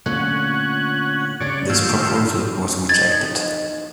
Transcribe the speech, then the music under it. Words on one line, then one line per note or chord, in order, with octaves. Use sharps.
This proposal was rejected.
A#2 D3 A3 C#4 F#5
G2 C#3 C#5 D5
G2 A#2 D#3 A3 F4 E6
F2 D#5 G#6 A6